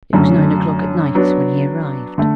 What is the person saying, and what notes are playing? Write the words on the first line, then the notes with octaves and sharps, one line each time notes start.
It was nine o'clock at night when he arrived.
F#2 D3 F#3 A3 C#4
F#3 B3 D4
D3 A3